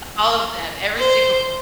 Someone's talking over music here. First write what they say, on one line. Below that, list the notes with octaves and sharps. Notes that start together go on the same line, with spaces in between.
All of them, every single one,
C5